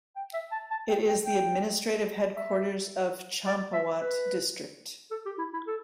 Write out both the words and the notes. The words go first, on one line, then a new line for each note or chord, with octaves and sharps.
It is the administrative headquarters of Champawat district.
G5
E5
A5
A5
G5
G5
G5
E5
D5
E5
B4
A4
G4
E4
E4
A4